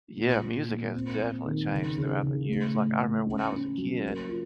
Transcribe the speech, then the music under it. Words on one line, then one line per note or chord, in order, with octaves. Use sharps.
Yeah. Music has definitely changed throughout the years, like, I remember when I was a kid
A#2
A#2
A#2
C4
C4
D#3
C#3
C#3
C#3
A3
A2
A2
C#4
C#4
F#3
A#3
F4